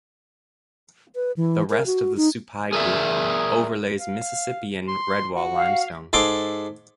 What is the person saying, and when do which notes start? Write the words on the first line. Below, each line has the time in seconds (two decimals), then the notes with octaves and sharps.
The rest of the Supai Group overlays Mississippian Redwall Limestone.
1.15 B4
1.37 E3
1.70 A#4
1.86 F#4
2.17 D#4
2.73 G#4 A#4 D5 E5
3.99 F5
4.88 C6
5.35 F#4
5.53 F5
6.13 G#2 G#4 A4 C6 D6